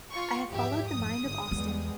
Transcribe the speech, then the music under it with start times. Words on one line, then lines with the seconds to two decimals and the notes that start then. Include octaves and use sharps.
I have followed the mind of Austin.
0.11 F4 C#6
0.50 E2 G#2 F3 G4 E5
0.87 F1 G#2 D#6
1.18 G1 G#2 D3
1.51 E2 G3 G#3 B3